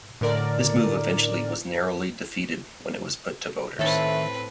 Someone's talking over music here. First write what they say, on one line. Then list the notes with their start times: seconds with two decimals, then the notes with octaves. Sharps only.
This move eventually was narrowly defeated when it was put to voters.
0.21 A2 D3 A#4 D5
3.79 A2 D#3 A3 C4 A4 B4